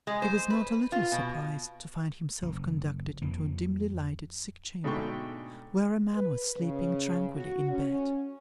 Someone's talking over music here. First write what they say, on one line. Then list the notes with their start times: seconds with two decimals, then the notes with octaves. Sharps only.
He was not a little surprised to find himself conducted into a dimly-lighted sick chamber, where a man was sleeping tranquilly in bed.
0.07 G#3
0.22 C5
0.50 B4
0.92 F4
1.12 B2
2.42 F#1
3.22 F2 A#3
4.84 G#2 B2 D3 A3 G5 C#6
6.15 B4
6.57 C#3
7.35 F#4
7.69 C#4